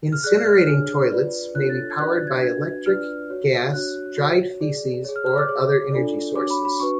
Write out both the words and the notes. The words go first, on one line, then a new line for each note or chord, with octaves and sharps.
Incinerating toilets may be powered by electric, gas, dried feces or other energy sources.
F6
G#4 D5 F#6
F6
D4 G#4 C#5 F6
F4 B4 D5
D4 F4 A4 C#5 F#6
A6
G#6
D4 F#4 B4 D5 F#6
A6
G#6
D4 F#4 B4 G#6
D4 F4 B4 D5 F6
F#4 C#5
D4 F#4 C#5 F#6
F#4 C#5
G#4 D5
G#4 C#5
F6
F6
D6
G#4 C#5
D4 F4 A4 D5
D4 F#4 C#5 D6
B5
B5
D4 F#4 B4 C#6